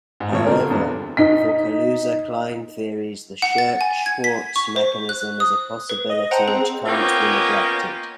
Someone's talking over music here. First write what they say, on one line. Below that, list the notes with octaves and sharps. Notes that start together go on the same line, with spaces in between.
However, for Kaluza-Klein theories, the Scherk-Schwarz mechanism is a possibility which can't be neglected.
G#2
G#1 A#2 C#5
A#2 D3 A3 C4 A#4
E2 G2
D#4 B6
F#5
A6
G#5
G#6
B6
C#6
C5
F#6
D#6
B4
D#5
C5 F#5 G5 A5 A#5
C4 G#4
A#3 B3 C#4 F4 D#5 G5